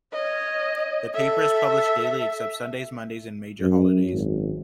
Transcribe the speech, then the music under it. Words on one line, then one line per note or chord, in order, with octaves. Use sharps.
The paper is published daily except Sundays, Mondays and major holidays.
C#5 D#5
A4 E5
F#2
G#1